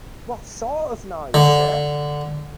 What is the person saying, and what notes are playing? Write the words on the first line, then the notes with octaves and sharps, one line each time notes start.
What sort of noise, sir?
D3